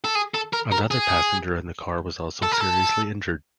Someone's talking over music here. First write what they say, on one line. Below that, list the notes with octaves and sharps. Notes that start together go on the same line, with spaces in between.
Another passenger in the car was also seriously injured.
A4
G#4
A4
A#4
A#4
G#4
A4
A#4
A4